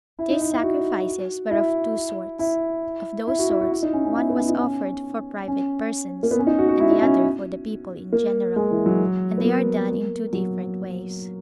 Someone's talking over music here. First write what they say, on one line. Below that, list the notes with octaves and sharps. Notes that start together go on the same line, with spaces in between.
These sacrifices were of two sorts; of those sorts one was offered for private persons, and the other for the people in general; and they are done in two different ways.
E4
D#4
E4
E4
F#4
E4
E4
E4
F#4
E4
F#4
E4
D#4
C#4
C#4
E4
B3
C#4
D#4
C#4
C#4
A#3
B3
C#4
D#4
F#4
F#4
E4
D#4
C#4
A#3
G#3
E3
F#3
B3
A#3
F#3